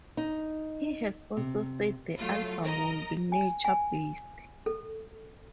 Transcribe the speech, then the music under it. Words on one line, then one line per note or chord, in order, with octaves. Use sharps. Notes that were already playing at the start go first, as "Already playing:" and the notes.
He has also said the album will be "nature-based".
D#4
C3
F#3 A3 F4
A#4 D#5 A#5
G#5
G#5
A4